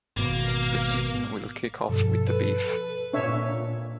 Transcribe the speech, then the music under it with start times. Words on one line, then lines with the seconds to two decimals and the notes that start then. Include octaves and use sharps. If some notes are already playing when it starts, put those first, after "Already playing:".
The season will kick off with the Beef.
0.17 G#1 B2 A#3
1.90 G2 B2 F3 A4
2.28 A4 B4
3.13 A#2 D4 C#5 E5